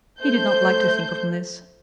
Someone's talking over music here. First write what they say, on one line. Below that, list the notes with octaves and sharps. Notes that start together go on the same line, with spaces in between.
He did not like to think of Mliss.
A3 C5 G6